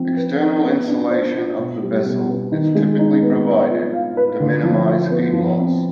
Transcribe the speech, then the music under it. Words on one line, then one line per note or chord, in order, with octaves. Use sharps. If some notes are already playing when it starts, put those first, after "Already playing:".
External insulation of the vessel is typically provided to minimize heat loss.
Already playing: F3 C4
B4
D#4
B3
D4
C5
F4
B2
G3
B2
B3
D#3
G#3
D#4
B3
B3
F4
F5
B4
D3
F3
F4
B3
F3
C4